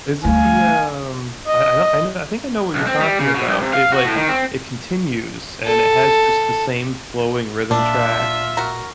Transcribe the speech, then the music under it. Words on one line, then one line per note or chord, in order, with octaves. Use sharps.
Is it the, um I I know I know I think I know what you're talking about. It, like it continues, and it has just the same flowing rhythm track,
D2 G3 F5 G#5
D#5
B1
C4
G3
C#3
B2
G2
C3
F5
F#4
A2
D#3
C4
A4
A#2 D4 F4 E5
F#4 A#4